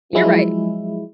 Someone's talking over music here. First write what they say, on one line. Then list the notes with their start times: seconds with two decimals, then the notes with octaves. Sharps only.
you're right.
0.13 F3 F#3 G#3 E4